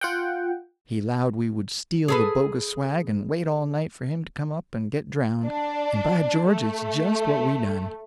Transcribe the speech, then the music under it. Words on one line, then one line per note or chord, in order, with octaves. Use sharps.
He allowed we would steal the bogus swag and wait all night for him to come up and get drownded, and by George it's just what we done!
F4 F#5 G5
G#4 A4 B4
D4
A3